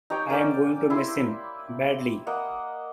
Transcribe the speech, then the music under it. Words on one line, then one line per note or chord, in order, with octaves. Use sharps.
I'm going to miss him...badly.
D#4 G4 C#5 G5
A#3 C#4 D5
E4 G4 E5 C6
A#3 D#5 F#5